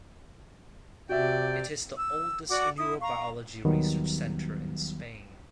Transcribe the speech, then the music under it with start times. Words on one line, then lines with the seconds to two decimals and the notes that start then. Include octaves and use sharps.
It is the oldest neurobiology research center in Spain.
1.09 C3 F#4 D5 E5 G5
1.98 E6
2.49 F#4 D5 F#5 D6
2.77 E4 D#6
3.01 F5 A#5 C#6
3.65 D#2 D#3 F#3 G3 B3